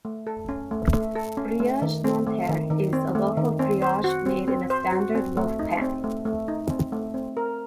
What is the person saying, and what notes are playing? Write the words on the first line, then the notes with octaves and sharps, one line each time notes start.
"Brioche Nanterre" is a loaf of brioche made in a standard loaf pan.
A3
A4
C#4
A3
A3
A4
C#4
A3
D#3
C4
A3
D#3
D#3
C4
A3
D#3
C4
C5
F#4
C4
C4
C5
F#4
C4
A3
D#4
C4
A3
A3
D#4
C4
A3
C4
A#4